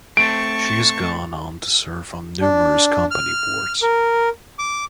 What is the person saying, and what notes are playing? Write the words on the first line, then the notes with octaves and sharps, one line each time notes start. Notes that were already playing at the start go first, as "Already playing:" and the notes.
She has gone on to serve on numerous company boards.
A3 C4 A5 C#6 D7
D4
F6
A#4
D6